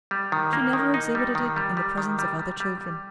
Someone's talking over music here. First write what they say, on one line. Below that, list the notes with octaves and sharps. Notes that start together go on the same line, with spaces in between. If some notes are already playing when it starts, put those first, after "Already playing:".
She never exhibited it in the presence of other children.
G3
D#3
A#3
D#3
D#4
G3
D#3
G3
G3
D#3
G3
G3
G3
G3